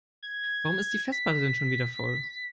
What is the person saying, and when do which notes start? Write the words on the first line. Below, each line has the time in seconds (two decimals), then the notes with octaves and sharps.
Warum ist die Festplatte denn schon wieder voll?
0.23 G#6
1.12 B6